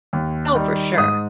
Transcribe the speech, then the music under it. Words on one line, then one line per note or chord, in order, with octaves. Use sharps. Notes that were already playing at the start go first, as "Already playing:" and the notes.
Oh, for sure.
D#2
D#3 G3
G#2 D#6